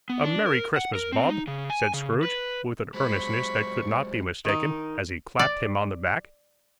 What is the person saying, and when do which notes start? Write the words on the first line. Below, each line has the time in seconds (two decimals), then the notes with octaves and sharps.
'A merry Christmas, Bob!' said Scrooge, with an earnestness that could not be mistaken, as he clapped him on the back.
0.10 B3
0.24 D4
0.46 A#4
0.76 F#5
0.95 A#4
1.12 C4
1.29 D#4
1.48 C#3
1.70 G#5
1.94 C#3
2.23 B4
2.94 F#3 G#3 C5 B5 C#6
4.45 D#3 D#4
5.39 D5